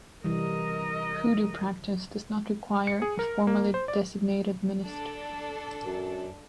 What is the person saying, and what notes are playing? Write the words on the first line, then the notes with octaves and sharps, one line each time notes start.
Hoodoo practice does not require a formally designated minister.
C3 E3 G3 A#4 D#5
C#7
G#4
A#4
A#3
C5
D5
D4 A4
F#2